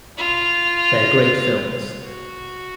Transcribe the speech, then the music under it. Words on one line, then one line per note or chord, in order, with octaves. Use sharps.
They're great films.
F4
F#4